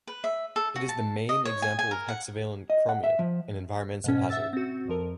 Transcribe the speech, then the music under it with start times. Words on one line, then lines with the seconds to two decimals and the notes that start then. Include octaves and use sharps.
It is the main example of hexavalent chromium, an environmental hazard.
0.07 B4
0.24 E5
0.56 A4
0.76 F#4
0.89 A5
1.29 D#5
1.45 C#5
1.62 G#5
1.79 G#5
1.91 A#4
2.09 F#5
2.70 D#5
2.89 F#5
3.04 E5
3.19 F3
4.04 G#2 B2 C#4
4.29 E5 F#5 E6 A6
4.53 C4 F#4
4.88 F2 F3 A#4